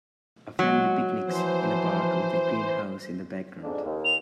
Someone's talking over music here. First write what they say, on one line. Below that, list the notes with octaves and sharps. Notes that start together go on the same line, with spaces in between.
A family picnics in a park with a greenhouse in the background.
F#3 G#3
E3 F3 C5
F2 G#2 D4
D#2
F7